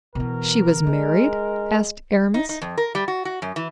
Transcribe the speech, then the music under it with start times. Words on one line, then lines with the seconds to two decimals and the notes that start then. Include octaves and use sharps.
"She was married?" asked Aramis.
0.15 B2 E3 A#4
0.87 G#3 D4
2.34 D#4
2.49 D#4
2.62 F2
2.77 A#4
2.95 G3
3.08 F#4
3.25 F#4
3.42 F#2
3.56 E3